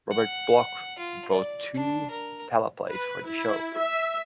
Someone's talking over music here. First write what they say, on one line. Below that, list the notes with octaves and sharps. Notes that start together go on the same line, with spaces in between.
Robert Bloch wrote two teleplays for the show.
F#5
F4
D5
D4
A#4
B4
E4
E5